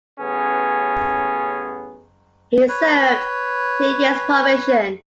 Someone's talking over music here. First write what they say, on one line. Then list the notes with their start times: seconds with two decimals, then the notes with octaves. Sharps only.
He served two years probation.
0.20 A1 B3 C#4 G#4
2.68 B4 C#5